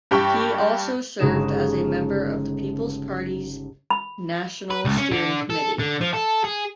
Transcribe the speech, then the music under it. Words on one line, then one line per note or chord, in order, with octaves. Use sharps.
He also served as a Member of the People's Party's National Steering Committee.
G2 G4 G5 C#6
G1 C#3 G#3 D#4 E7
B5
B4
C#2
C#4
D3
A4
D3
F3
A4
G#4